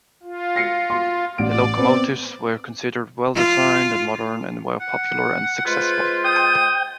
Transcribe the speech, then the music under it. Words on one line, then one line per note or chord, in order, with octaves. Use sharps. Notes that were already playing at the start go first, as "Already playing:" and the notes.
The locomotives were considered well designed and modern, and were popular and successful.
F4
A#6 C7 C#7
C6
A1 D5 D7
B3 C4
F4
F#5
G#3 F4 B4 C5
G5 D#6 G6